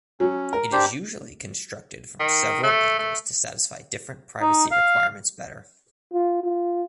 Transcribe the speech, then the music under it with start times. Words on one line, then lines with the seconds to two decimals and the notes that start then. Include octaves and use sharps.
It is usually constructed from several angles to satisfy different privacy requirements better.
0.20 F#3 C#4
0.53 A#4
0.72 D4 G4 C5
2.20 D#3
2.63 A3
2.99 A3
4.41 D#4
4.71 F5
6.13 F4
6.44 F4